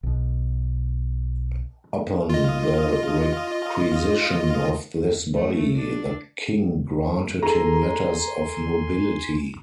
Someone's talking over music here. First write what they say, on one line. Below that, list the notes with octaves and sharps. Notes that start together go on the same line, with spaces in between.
Upon the requisition of this body the king granted him letters of nobility.
B1 B2
F4 D#5
A3
D4
G#4 A4 G#5 A#5 C6